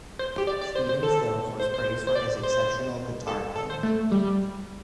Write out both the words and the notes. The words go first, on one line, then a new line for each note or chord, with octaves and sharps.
Stephen Stills was praised for his exceptional guitar playing.
C5
G4
D5
D5
C5
C5
A4
C5
C5
C5
D5
C5
A4
A4
C5
A3
G3